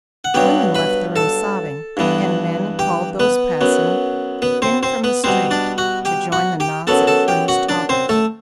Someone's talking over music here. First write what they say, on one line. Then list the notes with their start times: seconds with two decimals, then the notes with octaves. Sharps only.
Women left the room sobbing, and men called those passing, in from the street, to join the knots of earnest talkers.
0.24 F#5
0.34 G2 F#3 B3 G4 G5
0.75 B4 B5
1.16 A4 A5
1.97 G2 E3 B3
2.79 G4 G5
3.20 B3 B4
3.61 F#2 F#3 B3
4.42 B3 B4
4.62 C4 C5
4.83 C4 C5
5.04 B3 B4
5.24 B2 G3 B3 C4 C5
5.51 D4 D5
5.78 F#4 F#5
6.05 G4 G5
6.32 F#4 F#5
6.60 G4 G5
6.87 F#2 F#3 B3 A4 A5
7.07 A4 A5
7.28 G4 G5
7.48 F#4 F#5
7.69 D4 D5
7.89 C4 C5
8.09 A3 A4